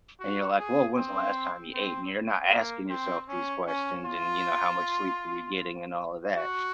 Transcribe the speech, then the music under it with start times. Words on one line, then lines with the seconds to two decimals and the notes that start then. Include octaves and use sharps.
And you're like, "Woah. When's the last time you ate?" You're not asking yourself these questions and, you know, "How much sleep were you getting," and all of that,
0.20 F#4
0.59 G#4
0.97 C4
1.74 C4
2.51 A#3
2.90 C4
3.28 C#4
3.67 C#4
4.05 F4
6.36 F#4